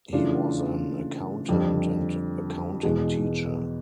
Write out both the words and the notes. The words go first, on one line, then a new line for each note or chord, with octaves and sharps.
He was an accountant and accounting teacher.
C#3 E3 A3 D4 F4
F2 D3 G3
E2 B2 G#3